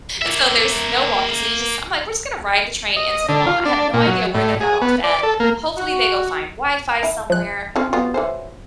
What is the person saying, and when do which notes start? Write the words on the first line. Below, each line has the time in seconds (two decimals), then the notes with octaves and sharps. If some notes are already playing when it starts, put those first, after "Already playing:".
And, so there's no walking, so you just I'm like, "We're just gonna ride the train into the mall. I have no idea where they got off at. Hopefully, they go find Wi-Fi somewhere,
0.22 A#3 E5
2.97 D#5
3.29 D3
3.47 F4
3.65 D4
3.93 A#2
4.07 F#3
4.34 A2
4.61 G#4
4.82 B3
5.04 D5
5.23 A4
5.40 A#3
5.77 F#4
7.03 E4
7.30 F3 F#6
7.76 C4 C#4 F4
7.93 F#3 G3 B3 F4
8.14 E3 F#3 C5